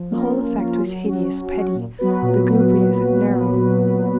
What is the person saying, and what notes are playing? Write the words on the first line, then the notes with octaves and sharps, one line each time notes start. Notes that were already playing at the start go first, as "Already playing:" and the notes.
The whole effect was hideous, petty, lugubrious, and narrow.
Already playing: F3
A#3 C#4 F4 A#4
F3
A#3 C#4 F4 A#4
F#3
C#4 F#4
F#3
C#4 F#4
A#2
F#3 B3 F#4 B4
A#2